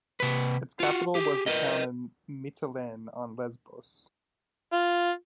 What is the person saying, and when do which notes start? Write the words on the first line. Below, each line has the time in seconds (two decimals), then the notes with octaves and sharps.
Its capital was the town of Mytilene, on Lesbos.
0.20 C3 B4
0.80 F4 F#4
1.15 G4 G#4
1.46 A#4 B4 D#5
4.73 F4